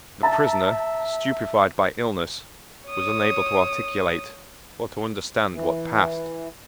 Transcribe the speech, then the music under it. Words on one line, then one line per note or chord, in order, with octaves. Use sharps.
The prisoner, stupefied by illness, was unable to articulate, or to understand what passed.
E5 A5 A#5 A6
C#5 D#6
E3